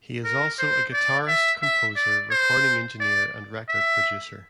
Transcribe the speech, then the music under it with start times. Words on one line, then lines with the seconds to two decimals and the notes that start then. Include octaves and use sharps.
He is also a guitarist, composer, recording engineer and record producer.
0.24 A#4
0.59 C5
0.93 D5
1.28 E5
1.62 E5
1.96 D5
2.31 C5
3.00 D5
3.69 E5